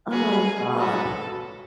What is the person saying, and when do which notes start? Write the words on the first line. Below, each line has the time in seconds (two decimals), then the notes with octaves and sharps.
Oh, god.
0.12 F#3 C#4 F#4 G#4 B4
0.78 F#3 C#4 F#4 A4 B4